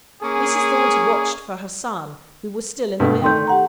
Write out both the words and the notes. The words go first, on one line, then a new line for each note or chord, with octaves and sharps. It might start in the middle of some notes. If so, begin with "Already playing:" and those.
Mrs. Thornton watched for her son, who was still in the mill.
A#3 C#4 G#4
G2 B2 A3
D#3 A3 G5 C6 G6
G4 F#5 A#5